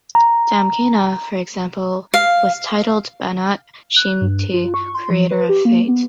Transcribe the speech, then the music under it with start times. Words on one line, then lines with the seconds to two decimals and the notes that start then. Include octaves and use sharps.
Damkina, for example, was titled "banat shimti", "creator of fate".
0.15 A#5
2.14 F5
3.96 F#6
4.21 G2
4.54 F4
4.74 C#6
4.95 C6
5.10 F3
5.31 B4
5.49 G4
5.65 A#3
5.88 B3